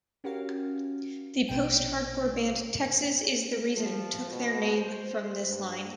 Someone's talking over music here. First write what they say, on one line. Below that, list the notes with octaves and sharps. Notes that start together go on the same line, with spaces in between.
The post-hardcore band Texas Is the Reason took their name from this line.
C#4 F#4 G4 A#4 F5
A#1 B2 G5 D7
F3
B2
C5
G2